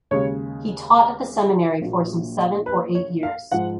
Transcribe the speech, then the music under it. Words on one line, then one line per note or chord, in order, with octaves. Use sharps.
He taught at the seminary for some seven or eight years.
D#2 C#3 G#3 C#5
A#1 A#2 F#3
B4
C#5
F5
G#2 F3 F#5